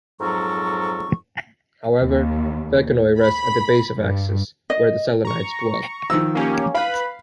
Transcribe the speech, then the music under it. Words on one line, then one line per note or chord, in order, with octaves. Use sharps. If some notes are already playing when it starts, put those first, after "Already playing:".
However, Vecanoi rests at the base of Axis, where the Selenites dwell.
F2 G#2 F#3 A4 A#4 C#6
D#2
B5
G2
D#5
A#5 C#6
D#3 F3 E6
A#3 C#4 G4
B4 F5 B5